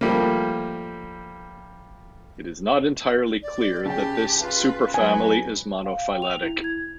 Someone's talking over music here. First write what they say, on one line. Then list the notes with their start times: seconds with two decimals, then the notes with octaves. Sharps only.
It is not entirely clear that this superfamily is monophyletic.
0.01 F3 G3 A3 A#3
3.43 D5
3.86 C#3 G4 G5 A5
4.40 F4 B4
4.94 F#3 B4 G#5
5.85 F5
6.08 G5
6.22 F7
6.42 E4
6.64 G#6